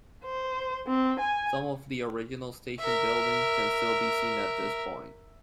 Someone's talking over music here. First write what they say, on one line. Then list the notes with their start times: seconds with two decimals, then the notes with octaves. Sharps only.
Some of the original station buildings can still be seen at this point.
0.24 C5
0.87 C4
1.20 G#5
2.79 A#4 E5